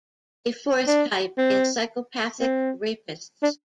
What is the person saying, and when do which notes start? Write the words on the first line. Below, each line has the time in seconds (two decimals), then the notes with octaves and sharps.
A fourth type is psychopathic rapists.
0.87 D4
1.38 C4
2.40 C4
3.43 D4